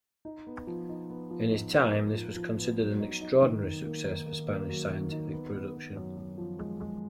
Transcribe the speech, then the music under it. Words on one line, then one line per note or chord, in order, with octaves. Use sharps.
In his time, this was considered an extraordinary success for Spanish scientific production.
D#4
B3
F3
D#4
B3
F3
D#4
A#4
D#4
F3
F3
B3
F#3
D#4
D#4
D#3
D#3
A#3
D#3
A#3
A#3
F#3
D#3
D#4
B3
B3
B3
F#2
F#2
F3
G#3
G#3